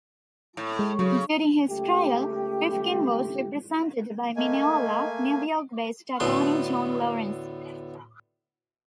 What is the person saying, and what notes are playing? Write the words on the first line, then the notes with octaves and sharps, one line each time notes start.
During his trial, Rifkin was represented by Mineola, New York-based attorney John Lawrence.
A2
G#3
C#3 F#3
C#2 A3 G4
A3 A#3 D#5 G#5
D2 A2 A3 B3 C6